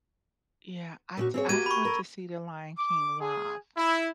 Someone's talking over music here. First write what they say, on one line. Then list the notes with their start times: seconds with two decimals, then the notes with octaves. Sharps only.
Yeah, I did I went to see the Lion King live.
1.17 A#2 C#4 F#4
1.34 C4 G#4 C#5
1.49 A#3 F#4 G4 G#6 D#7
1.66 B5 C#6
1.85 A4 A#4
2.77 D6
3.20 G#4
3.76 E4